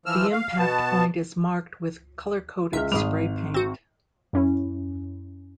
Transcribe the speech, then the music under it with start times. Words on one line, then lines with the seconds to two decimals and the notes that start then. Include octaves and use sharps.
The impact point is marked with color-coded spray paint.
0.06 E3 F3 E6 F6
0.32 F5
0.59 B2 B3 A5
2.73 C#2 E5 F6
2.92 G#1 G3 G#4 F7
3.54 C4 F#4
4.33 F#2 C#4 E4